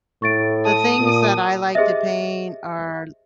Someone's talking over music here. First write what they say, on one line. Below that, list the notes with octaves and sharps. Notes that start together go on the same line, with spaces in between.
the things that I like to paint are
A2 C#6 A6 D7
A5 D#6
A#2
G4 G#4 C5 D#5 E5